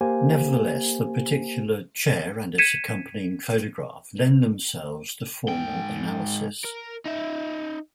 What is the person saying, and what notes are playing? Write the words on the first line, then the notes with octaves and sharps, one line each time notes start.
Nevertheless the particular chair and its accompanying photograph lend themselves to formal analysis.
A#3 G4 C5 G#5
G#6 B6 C#7 D#7 E7
G#2 G5
A#4
D#4 E5